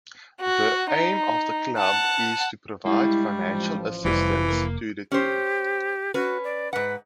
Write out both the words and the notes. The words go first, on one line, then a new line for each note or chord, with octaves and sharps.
The aim of the club is to provide financial assistance to the team.
F#4
D#4
F#5 A5
G3 G#3 E4 F5
A1 F3
F1 E3 G3 F4 G4
A#3 A#4
C#4 G4 C5
C#4 F#4 B4
D5
G#2 B4 F#5